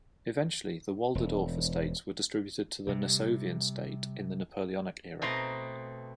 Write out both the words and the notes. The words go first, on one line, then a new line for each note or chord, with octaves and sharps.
Eventually the Walderdorff estates were distributed to the Nassovian state in the Napoleonic era.
E1
C3 G3
B2 A3 C4 C5 D#5 A#5